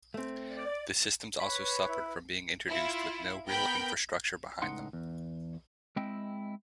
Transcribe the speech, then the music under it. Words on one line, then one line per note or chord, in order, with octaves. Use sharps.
The systems also suffered from being introduced with no real infrastructure behind them.
A3 C4
D5
B4 C#5 B5
E4
E4 F4
B3 A#4 G5 B5 G6
C#2 A2 D#4 F#5 C6
E2
G#3 C4 E4 D#5 G5